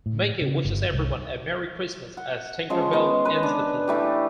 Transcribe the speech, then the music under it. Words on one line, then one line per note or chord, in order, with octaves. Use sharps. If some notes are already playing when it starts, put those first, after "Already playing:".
Mickey wishes everyone a Merry Christmas as Tinker Bell ends the film.
A2
C#3
G1
C2
F#5
F3 G#3 C#4
G#3 B3
B4
D4
E3 A3 G4